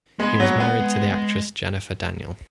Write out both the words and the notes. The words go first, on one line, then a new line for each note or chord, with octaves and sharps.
He was married to the actress Jennifer Daniel.
G#3 B3
F#3 B3
G#3
B3
G#3
G#3